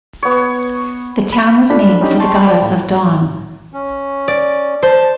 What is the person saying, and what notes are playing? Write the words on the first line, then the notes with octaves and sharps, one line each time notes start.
The town was named for the goddess of dawn.
B3 C#5
B5
D4 F4 A4 B5
C#4 D#4 G4
G5 A5 C6 C#6
D5 G5 B5
A2
C#4
D5
C5 A5